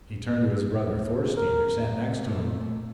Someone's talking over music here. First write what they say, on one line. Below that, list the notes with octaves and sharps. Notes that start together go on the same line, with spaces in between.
He turned to his brother Thorstein who sat next to him.
A#4
A#2 A3